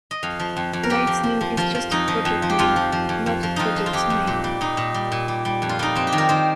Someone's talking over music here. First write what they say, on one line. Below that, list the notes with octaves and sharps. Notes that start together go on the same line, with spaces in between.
Lightning is just a project name, not a product name.
D#5
F2 F5
F3
F2
F2
A#4
F3 G4
F3
F3
F3
F3 F4
F3
F2 D#4
F3
F2
F3
G4
F2 F4
F3
F3
F2
F2
F3
F2 D#4 F4
F3
F4
F2 G4
F2
A#2
G3
A#2 D#4
A#2
G3
A#2
G3
G3
F2
F4
G3 D#4
F2 C4
G4
D#3
A#4
D#3 C5